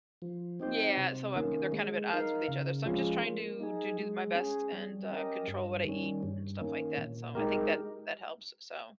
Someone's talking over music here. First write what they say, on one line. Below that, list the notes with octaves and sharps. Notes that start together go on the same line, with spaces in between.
yeah. So I'm they're kind of at odds with each other, so I'm just trying to to do my best and, uh, control what I eat and stuff like that, so I think that that helps, so
F3
C4 D#4 G4 C5
C3
D#3 A#3 C#4
G#3
D#4 A#4 F5
C#3
F3 G#3 C#4 F4
A#3
D#4 G#4
G#3
C#4 G#4
G3
C#4 G4 A#4 D#5
G2
D#3 G3 C#4
G2
D#3 A#3 C#4
A#2
G#3 D#4 G4 A#4